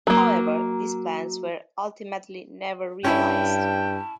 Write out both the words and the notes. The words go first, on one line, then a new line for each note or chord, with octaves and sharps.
However, these plans were ultimately never realised.
F#3 A#3
G2 C#4 E4 G5 A5